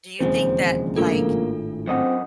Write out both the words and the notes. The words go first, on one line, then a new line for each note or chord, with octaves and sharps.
do you think that, like
E1 D#2 C#3 F3 G#3 C4 C5
G#1 A2 A#3 D4 F4 A4
F#2 C4 D#5 F#5